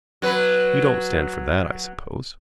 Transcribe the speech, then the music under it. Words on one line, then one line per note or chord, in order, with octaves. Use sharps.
You don't stand for that, I suppose?
F#3 B4